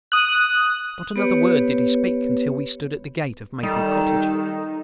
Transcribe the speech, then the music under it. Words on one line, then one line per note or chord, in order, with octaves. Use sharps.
Not another word did he speak, until we stood at the gate of Maple Cottage.
D#6 F#6
B3 G4 B4 C#5
D#3 G3 D#4 A4